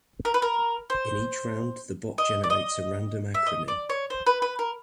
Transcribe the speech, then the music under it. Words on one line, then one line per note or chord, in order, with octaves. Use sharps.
In each round, the bot generates a random acronym.
A#4
B4
A#4
C5
D#5
D5
D#5
E5
D#5
D5
C#5
C5
B4
B4
A#4